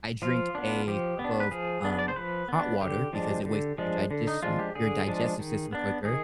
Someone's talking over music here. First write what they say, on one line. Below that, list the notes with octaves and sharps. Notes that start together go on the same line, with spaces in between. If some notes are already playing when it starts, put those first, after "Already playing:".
I drink a cup of, um, hot water because it wakes up your diges your digestive system quicker
F3 F4
B3 D4
F3 G4
B3
D4
B4
F3 G#4
B3 D4
D5
C5
F3 B4
B3 D4
D3 G4
F3 G#3 D4
D3
F3 G#3 D4
D3
D#4
F3 G#3 D4 F4
G4
D3 G#4
F3 G#3 D4
D#3
B3 D4
D#3 G#4